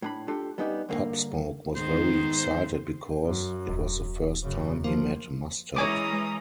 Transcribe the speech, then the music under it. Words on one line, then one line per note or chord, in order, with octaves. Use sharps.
Pop Smoke was very excited because it was the first time he met Mustard.
A2 D4 B5
D4 F4 G4 A4
G3 B3 C#4 D#4 F4 G4
G2 D3 A#3
G#2 D#3 B3 C5
F#2
D#1
F#2 C#3
F3 A#3
E3 G#3 C#4 C#5 G#5 A#5 D6 D#6